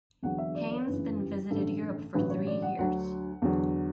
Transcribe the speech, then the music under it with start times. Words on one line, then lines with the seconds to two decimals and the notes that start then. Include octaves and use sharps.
Haines then visited Europe for three years.
0.23 E1 E2 D3 F#3 F#5
0.38 E5
0.55 D5
0.71 C#5
0.86 G1 F#2 C#3 E3 B4
1.18 G4
1.51 A1 G2 D3 A4
2.14 A1 G2 D3 F#3 B4
2.30 C#5
2.47 D5
2.62 F#5
2.78 D2 D3 F#3 F#5
3.42 E2 D3 F#3